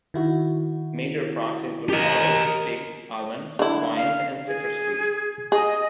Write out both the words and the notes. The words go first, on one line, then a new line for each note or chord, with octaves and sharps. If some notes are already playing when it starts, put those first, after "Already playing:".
Major crops include olives, figs, almonds, vines and citrus fruit.
D#3 E4 F#4
G4 A#4 D#5
D3 E4
F5
G#4
G#4 D#5